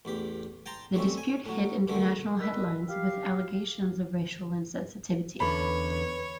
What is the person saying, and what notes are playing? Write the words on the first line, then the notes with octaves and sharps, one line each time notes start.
The dispute hit international headlines with allegations of racial insensitivity.
A1 E2 G4
G5 A5 A#5 C6
G3 A3 C4 C#4
G#5
A2 F#3
F#2 D3 D#3 G#3 A3
D#3 G3 A#4 B4 B5 E6
G4 F5
E2 D3 C#4 B4 C#5 B5